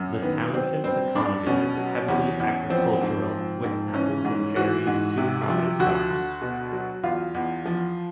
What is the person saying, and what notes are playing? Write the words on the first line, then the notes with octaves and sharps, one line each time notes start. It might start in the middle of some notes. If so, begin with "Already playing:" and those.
The township's economy is heavily agricultural, with apples and cherries two prominent crops.
Already playing: F#2
D#3 B3
F#3 C4
G2 C4
G2 D4
B2 C#4
F#3
E2
E2
F3 C4
G#2
F3
G#2
E3 C#4
G#2
E3 F#4
G#2
C3
F3
D2 F#4
D2
B2
F#3
E2 F4
E2
F3